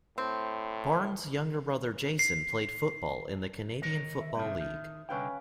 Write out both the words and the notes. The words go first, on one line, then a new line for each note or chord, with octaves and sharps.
Barnes' younger brother Jason played football in the Canadian Football League.
A2 C4
C7
D#3 A#4 C#5
E5
G2 C3 D#3
D#3
C2 D3 C#4 B4 F5 G5